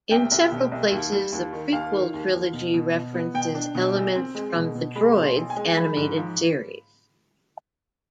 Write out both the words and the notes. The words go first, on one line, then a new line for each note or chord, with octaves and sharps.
In several places, the prequel trilogy references elements from the "Droids" animated series.
C2 G5
C2
B2
C2
D#2
G3
D#2
D#3
D#2 F5
D#3
D#2
D#2
B2
B2
B2
B3
B2 G5
D4
B2
B1
C4
G#3
B2
B2
G#3 B5
B2
C6
B1
G#5
G#3
G#5
F3 B5
G#2
F3